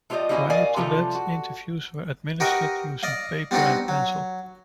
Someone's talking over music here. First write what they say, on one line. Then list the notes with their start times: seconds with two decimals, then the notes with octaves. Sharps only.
Prior to that, interviews were administered using paper and pencil.
0.10 A3 F4 G4 C5 D5 D#5
0.29 G3 A#3 E4 F#4 C5 G#5
0.50 A#4 D5 D#5 F5 G#5
0.76 C3 F3 G3 F4 A4
1.15 F#4
2.40 F#4 G4 A#4 B4 D#5 G5
3.03 D5 D#5 F5
3.51 G3 B3 C4 D4 D#4 F#4
3.88 F#3